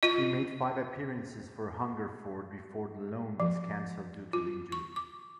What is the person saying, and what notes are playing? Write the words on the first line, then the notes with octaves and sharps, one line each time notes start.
He made five appearances for Hungerford before the loan was cancelled due to injury.
F4 D#5
F3
F4
C#6
D6